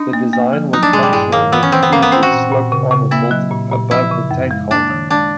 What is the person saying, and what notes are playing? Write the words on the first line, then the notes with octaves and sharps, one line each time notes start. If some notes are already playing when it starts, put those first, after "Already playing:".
The design was functional yet crude with sloped armour built above the tank hull.
Already playing: D4 D#4
A#3
A#3
F3
F#3 D#4
D4
A#2 G#3
G3
G2 G#3
D#3 A#3
E3 B3
C#4
E3 C4
B3
A#3 C#4
B3
C4 C#4
F#4
A#2
A#2
C#3
C#3
A#3 E4
F#3
A#2
A#2
F3 E4
C#3
F#2
G#3
A#3 D4
D#3
G#3 D4